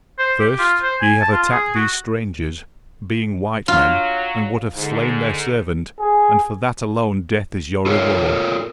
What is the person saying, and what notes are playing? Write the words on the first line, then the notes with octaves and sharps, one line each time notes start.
First, ye have attacked these strangers, being white men, and would have slain their servant, and for that alone death is your reward.
C5
G4
F4
C5
G#5
A5
F4
G#4
F#4
F#3 F4
G#2 D3
G#4
F4 A4 A#4 C#5 E5 F5